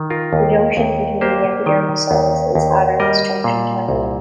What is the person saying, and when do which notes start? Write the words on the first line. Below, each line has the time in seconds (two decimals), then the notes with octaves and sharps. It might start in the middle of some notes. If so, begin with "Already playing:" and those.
The junctions between the epidermal cells is adherens junction type.
Already playing: D#3
0.10 F4 A#4
0.33 D#2
0.77 D#2
1.21 A#3 G4 C5
1.66 D#3
2.11 D#2
2.55 D#2
3.00 G3 A#4 D#5
3.44 A#2
3.89 C2